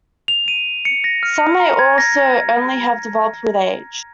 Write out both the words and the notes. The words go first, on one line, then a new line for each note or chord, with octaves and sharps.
Some may also only have developed with age.
F7
D#7
C#7
A#6
F6
A#5
G#6
A#6